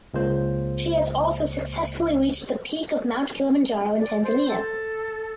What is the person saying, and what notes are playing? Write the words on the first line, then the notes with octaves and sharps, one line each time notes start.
She has also successfully reached the peak of Mount Kilimanjaro in Tanzania.
C#2 G#3 A#3 C5
D5
C5
A4